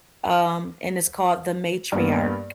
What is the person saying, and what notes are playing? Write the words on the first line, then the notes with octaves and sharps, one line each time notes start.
um, and it's called The Matriarch,
G2 A#3 B3